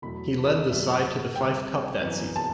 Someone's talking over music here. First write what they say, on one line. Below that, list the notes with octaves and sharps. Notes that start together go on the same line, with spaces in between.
He led the side to the Fife Cup that season.
E1 E2 B2 F#3 A3 B5
D5
G1 F#2 F#3 A3 E5
F#5
D2 C3 G3 G5
F#2 E3 B3
A5